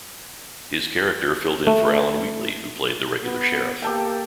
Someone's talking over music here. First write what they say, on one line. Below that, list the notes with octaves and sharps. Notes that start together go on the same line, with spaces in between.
His character filled in for Alan Wheatley, who played the regular sheriff.
A3
B3
A#3 G4 A4 G5